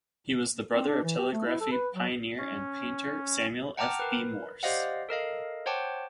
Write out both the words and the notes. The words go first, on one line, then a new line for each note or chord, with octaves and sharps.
He was the brother of telegraphy pioneer and painter Samuel F. B. Morse.
C4
D4
E3
G4
A3
E4
A4
B4
F#3
C#4
F#5 G5 A5 A#5 D6 F6
A#4 B4
G4 C5 D5 D#5 F5 F#5
A4 A#4 D#5 F5
C5 C#5 F#5 G5 A5 D6